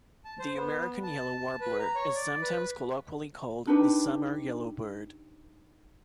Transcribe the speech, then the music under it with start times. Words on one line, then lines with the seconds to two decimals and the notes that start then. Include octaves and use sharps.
The American yellow warbler is sometimes colloquially called the "summer yellowbird".
0.25 A5
0.39 C5
0.56 B3
1.03 A5
1.61 B4
1.79 A#5
1.95 C#5
2.15 D5
2.41 B4
3.67 D4 D#4 G4 B4